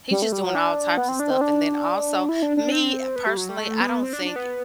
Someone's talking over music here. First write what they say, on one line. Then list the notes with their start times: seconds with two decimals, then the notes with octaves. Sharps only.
he's just doing all types of stuff, and then also me, personally, I don't think
0.11 G3
0.22 A3
0.32 G3
0.44 F#3
0.55 D4
0.97 B3
1.09 C4
1.20 D4
1.31 C4
1.41 D4
2.29 E4
2.42 D4
2.57 D4
2.72 C4
3.16 B3
3.26 G3
3.37 F#3
3.49 G3
3.59 A3
3.80 B3
4.03 C4
4.13 D4
4.25 D4
4.36 B3